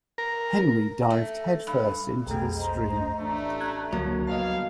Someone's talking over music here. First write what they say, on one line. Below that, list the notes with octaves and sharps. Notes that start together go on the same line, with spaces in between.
Henry dived headfirst into the stream.
A#4
A3
G2
B1 F2 A3 G#4 G5 A#5
C5 D#5 A#5
A1 A3 D4 A#5
F#6 G#6
C#2 D3 F#3 A#3
G1 B4 C#5 D#5 F5 A5